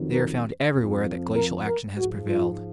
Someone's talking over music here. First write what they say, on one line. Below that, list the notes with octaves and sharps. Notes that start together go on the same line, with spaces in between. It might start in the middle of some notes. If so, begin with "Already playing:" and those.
They are found everywhere that glacial action has prevailed.
Already playing: F2 D#3 F#3
A#4
F2 F3
A#4
A#4
G#2 F3 F#4
F4